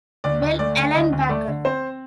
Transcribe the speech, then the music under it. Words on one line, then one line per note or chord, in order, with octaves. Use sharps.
Bell, Ellen Baker.
D2 D5
D2
A3 D5
D3
D2 D#5
D2
A3 D5
D3
C4 C5